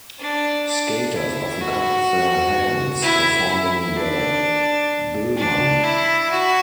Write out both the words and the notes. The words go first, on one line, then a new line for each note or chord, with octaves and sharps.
Skaters often cut their hands performing the Biellmann.
D4
D4
E4
F#4
E4
E4
D4
D4
E4
F#4